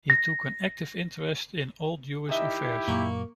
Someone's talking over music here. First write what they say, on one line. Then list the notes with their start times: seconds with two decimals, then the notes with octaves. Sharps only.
He took an active interest in all Jewish affairs.
0.10 A#6
2.29 D#3 E4 G4 E5
2.88 F#2 A#2 A#3 C#6